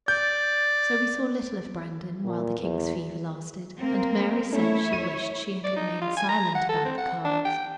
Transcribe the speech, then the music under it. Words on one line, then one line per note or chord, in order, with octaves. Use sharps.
So we saw little of Brandon while the king's fever lasted, and Mary said she wished she had remained silent about the cards.
D5 G6
A#2
E2
A#3 C4 A#4
A3 C#4 E4 C#5 E5
D#7
D5
D#4
F4
G#5
A#5
F#5
A4
C4
F#5
D4
G5